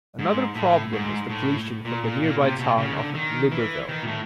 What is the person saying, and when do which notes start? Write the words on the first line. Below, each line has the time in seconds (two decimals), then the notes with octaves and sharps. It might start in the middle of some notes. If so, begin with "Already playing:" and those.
Another problem is the pollution from the nearby town of Libreville.
0.19 G#2
0.55 A2
0.93 G#2
1.30 A2
1.85 A#2
2.04 A#2
2.22 A#2
2.41 C3
2.59 B2
2.78 C#3
2.91 D#3
2.96 D3
3.14 D#3
3.52 E3
3.89 D#3
4.02 A#2
4.07 A2